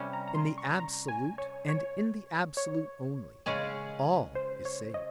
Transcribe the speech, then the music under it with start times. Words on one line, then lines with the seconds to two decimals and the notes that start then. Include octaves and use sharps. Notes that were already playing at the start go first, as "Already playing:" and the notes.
In the Absolute, and in the Absolute only, ALL is saved.
Already playing: C3 G3 C#4
0.13 A#5
0.28 A#5
0.35 C6
0.58 C#6
0.80 A#5
1.08 G#5
1.38 C#5
1.68 C#5
2.57 C#5
3.46 C#3 G#3 C#4 G#4
4.35 C5
4.65 C#5
4.94 D#5